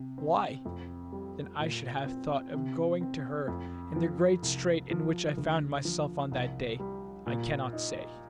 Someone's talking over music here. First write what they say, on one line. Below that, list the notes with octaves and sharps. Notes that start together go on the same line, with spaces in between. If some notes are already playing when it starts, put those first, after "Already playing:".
Why, then, I should have thought of going to her in the great strait in which I found myself on that day, I cannot say.
Already playing: C3
C4
F2
G3
A#2
C4
C3
C4
F2
F3
C2
F3
D2
F3
C2
G3
A#2
D#4